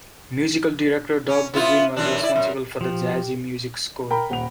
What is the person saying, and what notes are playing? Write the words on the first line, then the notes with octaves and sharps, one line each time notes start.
Musical director Doug Goodwin was responsible for the jazzy music score.
C#4
B3 E4 F4
F#2 E3 D4
E4 D5
F#2
F3 G4
A#4 G5 A#5 B5
D#1 F#5 F7